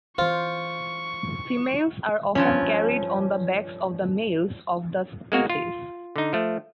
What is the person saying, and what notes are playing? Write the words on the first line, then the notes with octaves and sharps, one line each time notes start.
Females are often carried on the backs of the males of the species.
E3 F4 C5 C#6
G2 F3 C#4
G#3 A#3 F#4
F4
D3 D#4
F3 A3